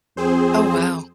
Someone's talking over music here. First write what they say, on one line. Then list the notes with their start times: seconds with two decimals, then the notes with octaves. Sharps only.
Oh, wow.
0.17 F2 C4 G#4 C5